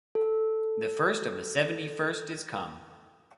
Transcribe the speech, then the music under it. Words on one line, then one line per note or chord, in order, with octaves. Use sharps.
The First of the Seventy-First is come.
A4